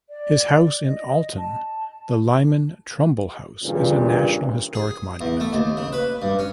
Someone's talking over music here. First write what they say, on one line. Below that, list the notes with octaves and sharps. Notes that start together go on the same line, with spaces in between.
His house in Alton, the Lyman Trumbull House, is a National Historic Monument.
D5
D#5
A5
E2 G2 A#2 C#3
G#4
E2
A3
D#2
C#3
B4
G2
C#4